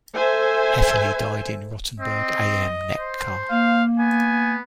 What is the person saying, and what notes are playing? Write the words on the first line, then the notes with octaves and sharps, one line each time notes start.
Hefele died in Rottenburg am Neckar.
A4 C5 E5 G#5
C4 D#5
C5
A#3 F5
B3 G#5